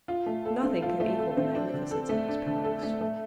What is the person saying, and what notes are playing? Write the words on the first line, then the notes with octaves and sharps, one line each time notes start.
Nothing can equal the magnificence of his palace.
F4
A3
A4
C4
F4
A3
A4
C4
D4
D3
A4
A3
D4
D3
A4
A3
A3